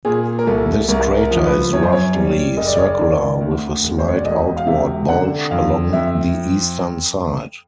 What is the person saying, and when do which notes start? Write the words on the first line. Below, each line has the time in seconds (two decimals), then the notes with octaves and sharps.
This crater is roughly circular with a slight outward bulge along the eastern side.
0.05 A#2 G#4
0.39 A#4
0.47 C2 A4
0.89 C2 A#4
1.17 A#4
1.31 F3
1.45 B4
1.73 F#2 C#5
1.83 C5
1.92 C#5
2.14 G3
2.57 F#1 D#5
2.67 D5
2.77 C#5
2.87 D5
2.99 D#3
3.41 D2
3.83 E1
3.99 C5
4.08 C#5
4.16 D5
4.25 E1 D#5
4.57 F5
4.67 C3 E5
5.09 D3 F#5
5.51 F2 F5
5.93 F2 E5